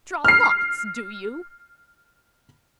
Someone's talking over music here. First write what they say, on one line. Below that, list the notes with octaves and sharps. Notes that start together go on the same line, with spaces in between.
Draw lots, do you?
F6 C7